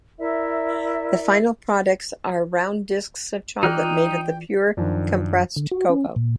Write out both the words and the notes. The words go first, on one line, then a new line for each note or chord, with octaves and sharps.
The final products are round discs of chocolate made of pure compressed cocoa.
E4 A#4 D5 E5
E3 D#4 F4 G#4 D5 G5 F6 F#6
F#2 D#3 F3 D4
D3
F#4
C#4
A#2